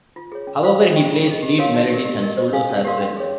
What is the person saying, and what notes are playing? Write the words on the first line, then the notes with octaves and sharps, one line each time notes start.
However, he plays lead melodies and solos as well.
F4
G#4 C#5
C#4
F4 C5 F5
C5
G5 C#6
F4
G#4 D#5
G4
A#4 C#5 F5 C6
D#4
G4 A#4
G4
A#4 D#5
C5
F5 G#5
C#4
G4 A#4 F5 C6
C#4
G#4 C#5